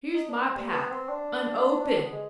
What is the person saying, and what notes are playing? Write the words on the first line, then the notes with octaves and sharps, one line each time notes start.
"Here's my pack unopened!"
D#4
D4
C4
G3
B3
C4
D4
D4
B3
G#3